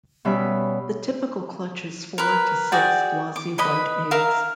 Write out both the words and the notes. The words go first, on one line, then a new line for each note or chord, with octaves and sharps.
The typical clutch is four to six glossy white eggs.
B2 G3 C#4 E5 B5
A#4 B4
F#4 G#4 D5 G5
D6
B4 D#5 B5
A#4 E5 F5